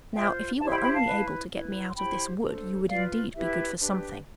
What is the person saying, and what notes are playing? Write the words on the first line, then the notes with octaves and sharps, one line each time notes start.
Now if you were only able to get me out of this wood, you would indeed be good for something.'
F4 C5 E5 G5
E4 G4 C5 F5 A5
G5 B5
G5 B5
F5 A5
E4 B4
E4 B4
C6
E4 G4 C5 G5 B5
D4 A4 C5
F4 B4 D5 F5
E4 G4 B4 E5
D4 G4 B4